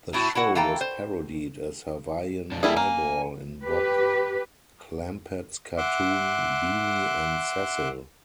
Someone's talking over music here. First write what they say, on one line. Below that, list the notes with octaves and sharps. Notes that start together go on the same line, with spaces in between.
The show was parodied as "Hawaiian Eyeball" in Bob Clampett's cartoon "Beany And Cecil".
A2 E4 F#4
E4 F#4 F#5
E3 A4 F5 G5 A#5
C5
F2 D4
G3 A#3 E4 G#4 A4
A#3 G#5
G4 B4
E5 F#5 C6 D6